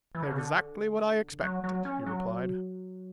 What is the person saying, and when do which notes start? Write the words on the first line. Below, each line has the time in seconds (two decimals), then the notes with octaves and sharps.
"Exactly what I expected," he replied.
0.15 E3
0.23 D3
0.31 C#3
0.38 D3
1.43 F#3
1.64 F#3
1.85 C#4
2.06 F#3